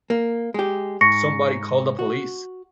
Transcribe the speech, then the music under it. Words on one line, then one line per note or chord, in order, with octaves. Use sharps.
Somebody call the police!
A#3
G#3 G4
G#2 C#6 A#6 C#7
F#4